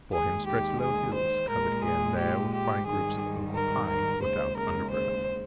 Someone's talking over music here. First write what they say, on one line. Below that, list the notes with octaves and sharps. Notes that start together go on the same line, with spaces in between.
Before him stretched low hills, covered here and there with fine groups of oak or pine without undergrowth.
D#2 D#3 G#3 G#4
G4
G#4
C5
A#2 G#3 A#4
G#4
G4
G4
G#2 D#3 G3 G#4
A#4
A#4
D#2 C#3 G#3 C5
A#4
C5